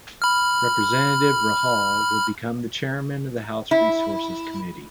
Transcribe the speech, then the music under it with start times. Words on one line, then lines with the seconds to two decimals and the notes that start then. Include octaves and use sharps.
Representative Rahall will become the Chairman of the House Resources Committee.
0.22 B5 F6
3.71 E4